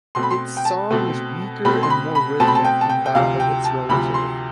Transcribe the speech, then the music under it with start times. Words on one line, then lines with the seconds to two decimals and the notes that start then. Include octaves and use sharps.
Its song is weaker and more rhythmic than that of its relative.
0.15 B2 A3 C4 C6
0.23 B5
0.30 C6
0.57 G5
0.65 A5
0.91 B2 A3 C4
1.65 B2 A3 C4 B5
1.83 C6
1.90 B5
2.15 B5
2.40 B2 A3 C4 A5
2.47 B5
2.55 A5
2.65 G5
2.81 A5
2.89 G5
3.06 G5
3.15 D2 C3 F3 F5
3.40 G5
3.65 A5
3.89 D2 C3 F3 B5
4.14 C6